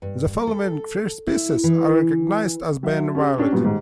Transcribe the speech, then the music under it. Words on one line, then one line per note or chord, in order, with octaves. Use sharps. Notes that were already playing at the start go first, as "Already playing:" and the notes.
The following three species are recognized as being valid.
G2
A4
E4
E3
F#3 E5
C#4 G4 G#4
C#4 D4 G4
G2 A#2 F#3 B3
D#2 G#2